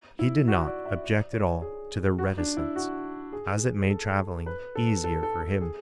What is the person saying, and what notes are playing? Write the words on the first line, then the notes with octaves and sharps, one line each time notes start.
He did not object at all to their reticence, as it made traveling easier for him.
E4
F#4
D5
E5
D5
C#5
G#4
F#4
D4
E4
F#4
G#4
A4
B4
A4
A4
A4
A4
G#4